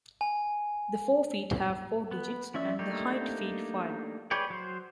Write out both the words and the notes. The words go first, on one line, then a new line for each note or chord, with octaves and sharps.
The fore feet have four digits and the hind feet five.
G#5
B3
F3 C#4 D5 E5 E6
A3 A#3 D4 D#4 G4
G#4 B4 C#5 D5 G5
F#3 C5